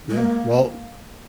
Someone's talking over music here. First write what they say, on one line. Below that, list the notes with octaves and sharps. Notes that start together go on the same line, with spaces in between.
Yeah, well,
G#3
A#3